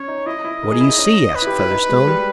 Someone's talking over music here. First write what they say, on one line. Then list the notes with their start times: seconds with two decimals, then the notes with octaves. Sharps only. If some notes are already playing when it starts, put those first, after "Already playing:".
"What do you see?" asked Featherstone.
Already playing: C#4 C#5
0.08 D#4
0.26 E4 D#5
0.45 E4
0.63 A#4
0.71 G#4
0.80 E4
0.89 D#4
0.99 C#4
1.35 B4
1.42 E4
1.47 G4
1.59 E4
1.71 D#4
1.89 G#3
2.07 G3